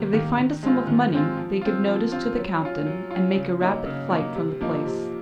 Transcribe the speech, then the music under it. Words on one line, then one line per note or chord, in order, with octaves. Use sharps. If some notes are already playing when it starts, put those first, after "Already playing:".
If they find a sum of money they give notice to the captain, and make a rapid flight from the place.
Already playing: C3 D#3 A#3
D#3 A#3
D#3
G#3 C4 F4
D#3
G#3 C4 F4
F3
C4 F4
F3
C4 F4
F#3
C#4 F4
F#3
C#4 F4
C#3
F#3 A#3 D#4
C#3
F#3 A#3 D#4
C3
F3 A#3 D#4
C3